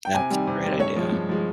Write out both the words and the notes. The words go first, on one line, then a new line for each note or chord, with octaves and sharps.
That's a great idea.
G5
C3 G#5
D#3 G3 C4
C3
D#3 G3 C4
G2 C#5
F3 G#3
G2
F3 G#3